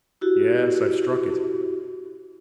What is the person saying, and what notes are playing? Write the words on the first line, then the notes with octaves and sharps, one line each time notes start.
Yes, I've struck it.
E4 F#4 G4